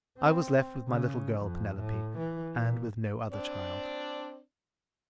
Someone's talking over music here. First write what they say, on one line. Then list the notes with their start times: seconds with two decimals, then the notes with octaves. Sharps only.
I was left with my little girl Penelope, and with no other child.
0.19 C4
0.88 C#3
1.39 F2
1.78 A2
2.18 E3
2.56 A#2
3.32 C4 D4 D5